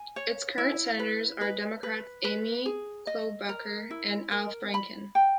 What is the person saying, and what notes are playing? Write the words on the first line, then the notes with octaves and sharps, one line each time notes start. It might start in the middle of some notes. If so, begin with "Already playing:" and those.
Its current Senators are Democrats Amy Klobuchar and Al Franken.
Already playing: G#5
C#5
E4
B4
B4
B4
B4
G#4
D#5
A#4
E4
A#4
B5
G5